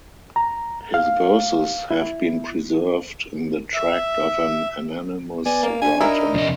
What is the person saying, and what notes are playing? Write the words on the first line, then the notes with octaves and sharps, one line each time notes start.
His verses have been preserved in the tract of an anonymous writer.
A#5
F5
E4
E5
B3 D5 G#5
A#3
D4 G#5
D#4 E4 A#4
F2 C3 D#5